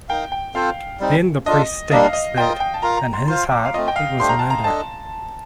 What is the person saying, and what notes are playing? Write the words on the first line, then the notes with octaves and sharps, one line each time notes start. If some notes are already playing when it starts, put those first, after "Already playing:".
Then the priest states that, in his heart, it was murder.
D#4 A#4 F5 G5
G5
C4 F4 A4 C5 F5
G3 C4 D#4
D4 F4 A4 D#5
G3 A#3 D4 D#5
F5
D#5
F4 A#4 D#5 G5
G5
A5
F4 A#4 F5 A#5
A#5
C6
F4 C5 F5 C6
D6
F5
A3 C4 F4 D#5
G5
F5
A3 D4 G4 C5 C6
A#5
A5
A#5
D4 A4 D#5 A5